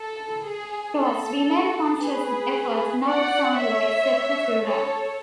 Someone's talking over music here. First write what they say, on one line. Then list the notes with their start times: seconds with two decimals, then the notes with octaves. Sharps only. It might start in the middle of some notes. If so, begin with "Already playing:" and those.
Plus, we made a conscious effort not to sound like Sepultura.
Already playing: A4
0.45 G#4
0.97 A4
2.01 G#4 B4
3.06 D5 F#5
3.58 C#5 E5
4.63 A4 C#5